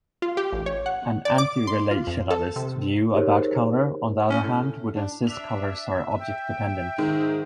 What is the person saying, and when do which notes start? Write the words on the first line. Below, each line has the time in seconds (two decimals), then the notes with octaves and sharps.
An anti-relationalist view about colour, on the other hand, would insist colours are object-dependent.
0.22 F4
0.37 G4
0.53 A1
0.66 C#5
0.86 F#5
1.25 D5
1.38 D6
1.67 C6
1.91 F4
2.07 F2
2.30 A4
2.56 C3
3.14 D#4 G4 G#4 A#4 C5 C#5
4.30 C#4
4.43 A2
4.95 D4
5.27 D4 E5 F7
6.19 G5
6.98 G#2 D#3